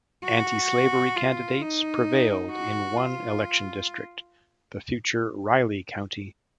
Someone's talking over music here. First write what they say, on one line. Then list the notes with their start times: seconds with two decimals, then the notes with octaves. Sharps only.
Antislavery candidates prevailed in one election district, the future Riley County.
0.25 F#4
1.16 F4
1.61 D#4
2.51 F#4
2.97 F4